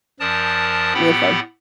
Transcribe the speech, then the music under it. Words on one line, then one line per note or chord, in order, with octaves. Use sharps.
Real fun.
F#2 F3 A#4 D5 A5 D#6
A2 B3 G4 F#5 G5 B5